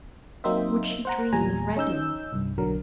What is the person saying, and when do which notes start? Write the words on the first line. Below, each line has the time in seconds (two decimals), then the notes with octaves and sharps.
Would she dream of Reddin?
0.44 F#3 A#3 C4 D#4 C5 E5
1.05 C5 F#5 A#5
1.33 E2 A#2 G3 G#5 A#5
1.76 C#4 D#4 E6 G6
2.33 C2 G2
2.58 B1 D3 F#3 A#4